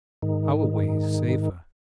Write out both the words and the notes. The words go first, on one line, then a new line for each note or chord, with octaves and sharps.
Our way is safer.
G#2 D#3